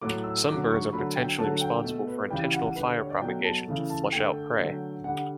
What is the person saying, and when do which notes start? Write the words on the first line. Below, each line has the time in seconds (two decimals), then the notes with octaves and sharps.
Some birds are potentially responsible for intentional fire propagation to flush out prey.
0.02 A2 F#3 A3 D6
0.24 E6
0.47 D3 F#3 A3 D6
0.70 C#6
0.93 D3 F#3 A3 B5
1.16 G5
1.38 D3 F#3 A3 A5
1.61 G5
1.84 B2 A3
2.07 B4
2.30 C#3 E3 G3 G5
2.53 F#5
2.76 D3 G3 B4
2.98 C#5
3.10 D5
3.21 B2 F#3 A3 G5
3.44 A5
3.68 C#3 E3 A3
3.90 A5
4.12 D3 A3 G5
4.59 D3 F#3 A3
5.04 D3 G3 F#5